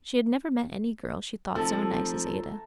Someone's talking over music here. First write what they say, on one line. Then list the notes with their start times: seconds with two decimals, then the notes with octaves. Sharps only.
She had never met any girl she thought so nice as Ada.
1.56 F1 F3 A4 E5 A#5